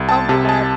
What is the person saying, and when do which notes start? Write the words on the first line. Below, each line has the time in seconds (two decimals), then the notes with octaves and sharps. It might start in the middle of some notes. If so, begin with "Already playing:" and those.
Oh my god.
Already playing: C2
0.09 A5
0.29 C3 A5
0.49 A5